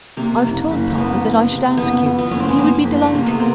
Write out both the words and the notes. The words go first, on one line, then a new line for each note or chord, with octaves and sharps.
I have told Papa that I should ask you, and he would be delighted.
C3 A#3
F#1
F#1
A#3
F#1 B3
F#1
C3
F#1 B3
F2
B3
F#1 C#4
C4
B3
F#1 A#3
F#1
A3
C3 A#3
B3
A#3 C4